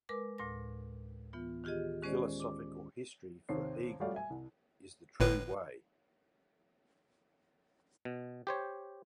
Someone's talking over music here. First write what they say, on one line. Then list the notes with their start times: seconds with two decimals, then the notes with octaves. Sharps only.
Philosophical history for Hegel, is the true way.
0.09 G#3 A#4 B4 D6
0.38 D2 A2 D6 A#6
1.33 E3 B3 F4
1.64 D#3 F4 G4 G#4 D#5
2.02 D#3 G#3 C#4 G#4 C5 D5
2.40 D6
3.49 D#2 G#2 C3 C4 C#5 C7
4.00 G3 A3 F#4 C#5 D5 F5
4.14 E5 G#5
4.30 C2
5.20 G1 A2 B4
8.05 B2
8.47 G4 C5 C#5